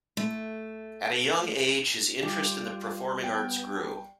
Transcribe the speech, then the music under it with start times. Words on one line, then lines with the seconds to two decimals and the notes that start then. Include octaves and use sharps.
At a young age, his interest in the performing arts grew.
0.17 A3
2.23 G3 F4
3.24 B3 G5